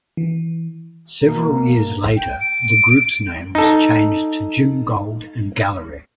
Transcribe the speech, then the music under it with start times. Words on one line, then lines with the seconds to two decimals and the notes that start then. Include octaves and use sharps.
Several years later the group's name was changed to Jim Gold and Gallery.
0.17 E3
1.23 B2 A#3
2.16 G5
2.40 D7
3.55 D#4 A4